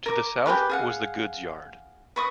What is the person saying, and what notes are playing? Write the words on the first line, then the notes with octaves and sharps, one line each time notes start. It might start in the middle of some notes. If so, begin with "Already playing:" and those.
To the south was the goods yard.
A#4 D6
G4 G#4 A#4 B4
G#4 F5 F#5
B4 C#6 D#6